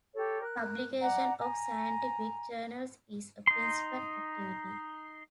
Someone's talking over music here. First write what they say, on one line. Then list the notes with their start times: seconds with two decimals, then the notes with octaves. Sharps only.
Publication of scientific journals is a principal activity.
0.14 G4 A4 C#5
0.43 A#4 F#6
1.00 D5 F#5 A#5
1.39 G#5 A#5
3.47 D#4 C6